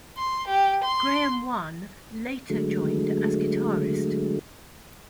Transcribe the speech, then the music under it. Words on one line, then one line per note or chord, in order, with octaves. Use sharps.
Graham Wann later joined as guitarist.
C6
G4
C6
D3 F#3 G#3 A3